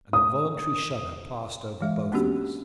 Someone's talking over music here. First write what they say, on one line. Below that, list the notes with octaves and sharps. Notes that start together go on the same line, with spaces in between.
An involuntary shudder passed over both of us.
D#6
E3 G#3 E5
A#3 B3 C#4 D4 F#4 G4